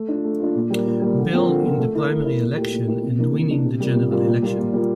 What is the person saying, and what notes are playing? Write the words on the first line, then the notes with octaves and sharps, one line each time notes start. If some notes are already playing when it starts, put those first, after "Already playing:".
Bell in the primary election and winning the general election.
Already playing: A3
D4 F4
A3
D4 F4
A#2
G3 A#3
A#2
G3 A#3
D3
F3 C4 F4 A#4
D3
F3 C4 F4 A#4
A3
E4 A#4
A3
E4 A#4
A#2
A3 E4 G4 A#4
A#2
A3 E4 G4 A#4
C3
E3 A#3 D4
C3
E3 A#3 D4
C3
G3 A#3 F4
C3
G3 A#3 F4
A#2
G3 A#3 F4
A#2
G3 A#3 F4